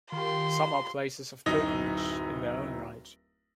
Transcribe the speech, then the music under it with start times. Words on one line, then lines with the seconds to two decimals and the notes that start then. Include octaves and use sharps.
Some are places of pilgrimage in their own right.
0.12 D#3 F4 G4 C6
1.46 D1 F#2 D#4 E4 A#6